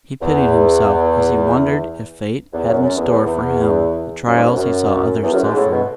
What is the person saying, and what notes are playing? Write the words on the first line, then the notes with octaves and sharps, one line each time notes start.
He pitied himself as he wondered if fate had in store for him the trials he saw others suffering.
E2
E2
F#2
F#2
E2
E2
E2
F#2
G#2
F#2
F#2
E2
F#2
G#2
A2
B2